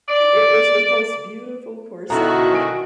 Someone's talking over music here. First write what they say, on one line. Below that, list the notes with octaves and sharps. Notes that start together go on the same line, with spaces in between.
it was the most beautiful corsage,
D5
B2 D3 D#3 E4 F#4 A4 A#5
G#5 D7